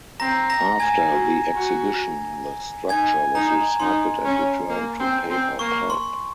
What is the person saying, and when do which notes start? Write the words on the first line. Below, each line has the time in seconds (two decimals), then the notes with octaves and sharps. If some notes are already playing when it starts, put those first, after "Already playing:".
After the exhibition the structure was recycled and returned to paper pulp.
0.20 C4 A#5 A#6
0.50 A#5 A#6
0.80 G#5 G#6
1.10 F#4
1.55 F#4
2.89 D#4 G#5 G#6
3.35 D#4 A#5
3.80 D#4 C6
4.25 C#4
4.69 A#3
5.00 C4
5.30 C4
5.59 A#3 C#6
5.90 C6